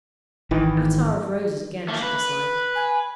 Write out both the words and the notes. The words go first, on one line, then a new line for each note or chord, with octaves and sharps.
Attar of roses, again, she disliked.
G#1 D#3 E3
A3 A#3
B4
G#5